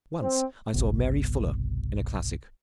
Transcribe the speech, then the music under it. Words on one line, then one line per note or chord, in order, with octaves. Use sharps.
Once I saw Mary Fuller in a classic.
C4
G1 C2 B2